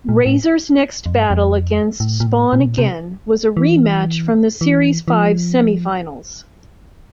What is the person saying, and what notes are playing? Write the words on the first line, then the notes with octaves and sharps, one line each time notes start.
Razer's next battle against "Spawn Again" was a rematch from the series five semi-finals.
A#2
A2
F2
G2
F2
A2
A#2
A2
A#2
C3
A#2
C3
E3
E3
E3
F3